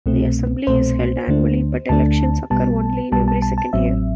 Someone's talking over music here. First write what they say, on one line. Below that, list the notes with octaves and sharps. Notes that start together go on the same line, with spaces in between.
The assembly is held annually, but elections occur only in every second year.
C2 B2 A3 C4
C2 B2 A3 C4 C5
D2 D3 A3 D4
D2 D3 A3 D4 A5
B1 B2 G3 B3 A5
B1 B2 G3 B3 A5
A5
A5
A5
A1 A2 F#3 C4 E5